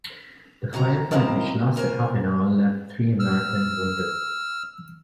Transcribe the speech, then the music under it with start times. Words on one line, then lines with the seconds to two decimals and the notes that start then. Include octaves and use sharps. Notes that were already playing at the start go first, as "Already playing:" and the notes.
The firefight, which lasted half an hour, left three American wounded.
0.73 D#2 C#3 F#3 A4 A#5
1.11 D#3 F3 F#3 C4 E4 A#4
1.76 C#3 A#4 C5 G#5
3.20 E6 F6